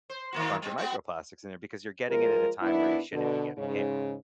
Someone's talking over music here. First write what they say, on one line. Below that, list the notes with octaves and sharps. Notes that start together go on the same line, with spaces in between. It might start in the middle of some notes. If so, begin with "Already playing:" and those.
a bunch of microplastics in there because you're getting it at a time where you shouldn't be getting hail.
C5
D#3 A#3 F#4
G3 C4
B3 C4 F#4
F3 G#3 F4 A#4
D#2 B3 D4 E4
B2 D3
G#2 C#3